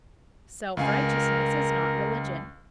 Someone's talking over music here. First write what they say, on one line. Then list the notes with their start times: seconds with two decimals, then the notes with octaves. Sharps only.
Self-righteousness is not religion.
0.77 C#2 A#4 F5 G#5